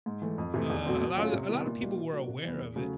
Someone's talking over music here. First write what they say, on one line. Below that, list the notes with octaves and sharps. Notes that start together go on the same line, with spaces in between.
uh, a lotta a lotta people were aware of it,
G#2
E3 A3
F2
C3 E3 A3
E2
B2 F#3 A3 C4
B2
F#3 A3 C#4 F4
C3
D#3 G3 B3 E4
A#2
G3 A#3 D#4 F#4
B2
F#3 A#3 D4 F#4
C3
E3 G3 B3
E2
C#3 F#3 A3